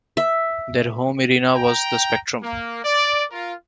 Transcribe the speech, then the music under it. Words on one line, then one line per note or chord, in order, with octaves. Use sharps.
Their home arena was the Spectrum.
E5
G5 A#5
A#3
D5
F4 A#4